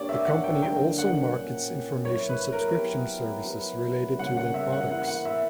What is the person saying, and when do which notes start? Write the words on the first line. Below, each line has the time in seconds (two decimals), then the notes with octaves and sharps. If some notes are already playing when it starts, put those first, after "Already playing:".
The company also markets information subscription services related to their products.
Already playing: A#3 D4 G4 C#5 D5
0.09 E5
0.26 F#5
0.44 G5
0.62 D3 F#3 A#3 D4 G5
0.98 F#5
1.33 A#2 A#3 C#4
2.04 F#3 A#3 E4 C#5
2.29 B4
2.52 A#4
2.76 F#3 B3 E4 G4
3.47 F#3 B3 E4 B4
4.19 C#3 G3 A#3 C#4 F#5
4.37 F#5
4.54 E5
4.72 F#5
4.90 E3 A#3 E4 F#5
5.08 F#5
5.25 E5